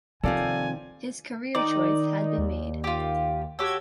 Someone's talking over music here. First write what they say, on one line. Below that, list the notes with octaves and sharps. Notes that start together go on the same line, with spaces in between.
His career choice had been made.
D#2 C3 D#3 F3 A4 D5 F5 G#5
D#3 D#4 D5
D#2
F4 G4
F#4 G4 A4 C#5 G#6